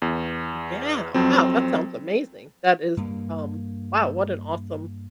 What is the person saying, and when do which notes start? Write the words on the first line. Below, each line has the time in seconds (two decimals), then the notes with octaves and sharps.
Yeah. Wow, that sounds amazing. That is, um, wow, what an awesome,
0.02 E2
1.14 F2 F#3 C4
2.97 G2 A#3